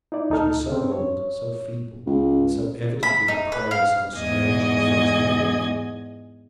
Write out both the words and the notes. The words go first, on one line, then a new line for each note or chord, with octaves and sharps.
She was so old, so feeble and so, evidently the prey of some strange and fixed idea.
D#4 E4 D5
D2 D#4 A4 F6
C4 C#4
C#5
C#2
B5
D#4
B4
F5
E2 G#2 D#5 G#5 G#6